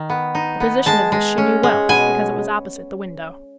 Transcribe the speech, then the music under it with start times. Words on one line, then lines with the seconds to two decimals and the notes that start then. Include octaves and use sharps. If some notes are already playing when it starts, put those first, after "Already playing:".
The position of this she knew well, because it was opposite the window.
Already playing: D#3
0.10 B3
0.35 D#4
0.60 B3
0.86 G#3 A5
1.12 G#3
1.38 C#4
1.63 G#3
1.89 B2 G#5